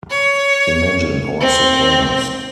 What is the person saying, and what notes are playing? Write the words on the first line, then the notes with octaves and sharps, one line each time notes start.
Imagine our surprise.
C#5
C4